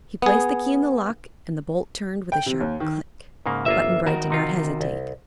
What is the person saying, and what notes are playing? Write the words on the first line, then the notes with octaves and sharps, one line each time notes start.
He placed the key in the lock and the bolt turned with a sharp click. Button-Bright did not hesitate.
B3 G#4
G5
C3
D#2
D#3
G#2 C#3 A#3
G1 A#3 F4 E5
D#3 F#4 A#4
C3 D#4 F4
C2